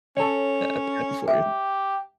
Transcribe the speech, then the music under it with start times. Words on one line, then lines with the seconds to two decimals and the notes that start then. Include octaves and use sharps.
Hap happy for you.
0.17 C#4 A4 C#5
1.28 G4 E5